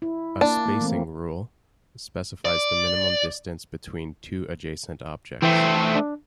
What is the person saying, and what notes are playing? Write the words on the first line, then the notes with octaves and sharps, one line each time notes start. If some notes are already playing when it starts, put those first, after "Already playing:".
A "spacing" rule specifies the minimum distance between two adjacent objects.
E4
A#3 D4
A#3
E3 A3 C4
D5
E3 A3 C4 G5 C6
D4